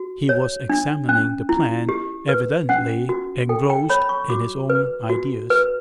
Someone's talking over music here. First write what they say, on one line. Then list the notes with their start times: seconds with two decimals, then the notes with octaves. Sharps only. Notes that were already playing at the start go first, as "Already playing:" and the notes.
He was examining the plan, evidently engrossed in his own ideas.
Already playing: F#4
0.29 C#5
0.70 D4
1.09 C#4
1.49 E4
1.89 G4
2.29 B4
2.69 C#4 F#5
3.09 F#4
3.49 A4 G5
3.70 G5
3.90 C#5 B5
4.09 C#6
4.30 F#4 D6
4.70 B4
5.10 F#4
5.50 B4